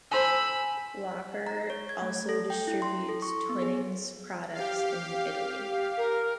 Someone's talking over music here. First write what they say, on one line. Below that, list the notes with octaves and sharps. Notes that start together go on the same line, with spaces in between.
Loacker also distributes Twinings products in Italy.
A4 C5 G#5 B5 E6
A#5
C#5
G#6
A3
A4
G5
E4
C6
A4
C#6
B3
G#4
G4 F5
A#4